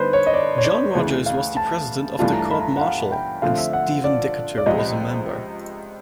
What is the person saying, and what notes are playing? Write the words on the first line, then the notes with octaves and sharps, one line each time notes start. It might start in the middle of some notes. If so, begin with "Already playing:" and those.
John Rodgers was the president of the court-martial, and Stephen Decatur was a member.
Already playing: D3 G3 B3 D#4 B4 C5
C#5
D#5
D5
C#5
D5
D2 C#3 E3
F5
A5
G2 E3 A3 D4 F4 A5
A#5
A5
B5
A#5
F#5
F5
G5
D3 F3 A3 C4 F5
E5
F#5
D5
D5
C#2 C3 F3 D#5